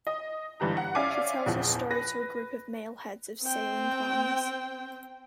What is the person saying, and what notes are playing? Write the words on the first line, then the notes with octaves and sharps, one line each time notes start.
She tells her story to a group of male heads of sailing clans.
D#5
G1 G2 E3 G4 A#5
F#5
C#4 D5 E5 F5 G#5 D6
A#1 E2 F3
B4 A#6
C4 G5